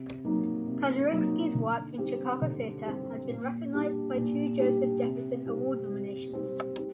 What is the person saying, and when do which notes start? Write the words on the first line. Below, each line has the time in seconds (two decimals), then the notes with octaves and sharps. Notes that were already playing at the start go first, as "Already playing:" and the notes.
Kazurinsky's work in Chicago theatre has been recognized by two Joseph Jefferson Award nominations.
Already playing: C3
0.25 F#3 A#3 D#4
0.67 C3
1.11 F#3 A#3 D#4
1.55 D3
1.98 G3 C4 G4
2.42 D3
2.85 G3 C4 G4
3.29 A#2
3.72 G3 D4 G4
4.16 A#2
4.60 G3 D4 G4
5.03 C3
5.47 G3 C4
5.90 C3
6.33 G3 C4
6.78 G3